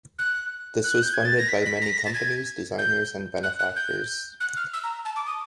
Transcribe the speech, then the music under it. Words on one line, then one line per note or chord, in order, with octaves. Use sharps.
This was funded by many companies, designers and benefactors.
F#6
F#6
G6
G#6
A6
A#6
B6
B6
A#6
B6
A#6
A6
G#6
G6
F#6
F#6
G6
F#6
F6
E6
A#5
A5
D6
D#6